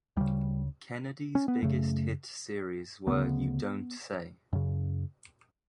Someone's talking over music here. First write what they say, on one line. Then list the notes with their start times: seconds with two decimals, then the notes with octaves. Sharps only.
Kennedy's biggest hit series were You Don't Say!
0.17 D2 C#3 G3
1.35 C#4
1.48 B3
1.62 F#2 C#3 A3
3.07 D2 C#3 B3
4.53 F#2 C#3